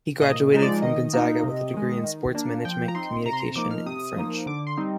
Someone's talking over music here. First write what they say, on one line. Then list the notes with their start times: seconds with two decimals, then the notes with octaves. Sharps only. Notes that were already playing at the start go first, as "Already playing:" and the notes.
He graduated from Gonzaga with a degree in sports management, communication and French.
0.21 A#2 D#5
0.52 F3 G#3 D#4
0.62 D5
0.82 D#3 D#5
1.13 A#3 D#4
1.43 C3
1.74 D#3 G#3
2.04 D#3
2.35 A#3 D4
2.65 F3 G5
2.88 A#5
2.95 C4 D#4 C6
3.25 C3 A#5
3.33 C6
3.40 A#5
3.56 F3 A#3 D#4 D6
3.71 F6
3.86 C3 D#6
4.16 F3 A#3 D#4
4.46 D3 D6
4.67 C6
4.77 G3 C4 D#4